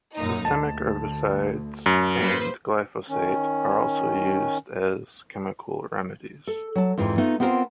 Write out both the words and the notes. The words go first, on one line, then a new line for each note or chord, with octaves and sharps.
Systemic herbicides and glyphosate are also used as chemical remedies.
F#2 A#2 D#4
D2 A5
F#2
A#3 B4 C5
D#3 C#4
A4
F#3 A5
F2 G#2 E3 F3
A3 B3 D#4 F4
B3 C4 F4 G#4 A#4 C5